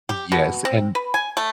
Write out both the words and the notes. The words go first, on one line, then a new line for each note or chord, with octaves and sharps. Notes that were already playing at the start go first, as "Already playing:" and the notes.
Yes. And
G4
B2
C4
B4
G#5
A3